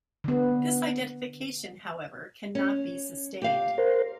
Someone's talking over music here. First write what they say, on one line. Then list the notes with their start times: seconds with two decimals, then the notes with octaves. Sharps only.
This identification, however, cannot be sustained.
0.24 D3 B3
2.55 C#4
3.42 G4 F5
3.78 A#4 C5